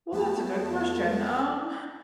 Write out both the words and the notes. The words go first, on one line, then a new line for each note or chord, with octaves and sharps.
Well, that's a good question, um
F2 A3 B3 A5